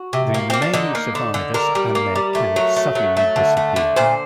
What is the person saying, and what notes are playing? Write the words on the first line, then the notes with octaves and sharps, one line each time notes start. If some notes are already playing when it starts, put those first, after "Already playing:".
The remaining survivors and their camp suddenly disappear.
Already playing: F#4
C3
A#3
A#3 C4
D4
D3 D#4
A#3
D3
D3
D3 A#4
G3
A#3
G3
A3
F#3
A3
F#3
A3
D3
A3
D3
A#2 C5